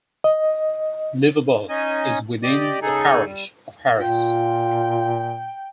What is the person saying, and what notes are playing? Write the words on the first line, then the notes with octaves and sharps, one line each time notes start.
Leverburgh is within the parish of Harris.
D#5
C#4 D#4 D#5 G#5
G4 D5 D#5
C#3 D#4 G#4 A4
G3
A#2 F4 G5